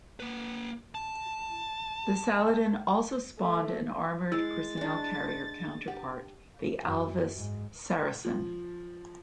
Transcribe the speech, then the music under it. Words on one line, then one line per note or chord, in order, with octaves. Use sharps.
The Saladin also spawned an armoured personnel carrier counterpart, the Alvis Saracen.
A#3 B4
A5
A3
G#3 E4 G#4 A6
G#3 D4
G4 F#5
F#2
G#2
F3